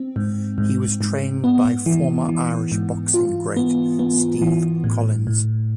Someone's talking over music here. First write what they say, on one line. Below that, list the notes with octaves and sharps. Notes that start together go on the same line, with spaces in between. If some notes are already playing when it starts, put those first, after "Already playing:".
He was trained by former Irish boxing great Steve Collins.
Already playing: C4
G#2
G#2
G#2
B3
E3
E3
G#2
F4
B3
B3
E3
A2
A2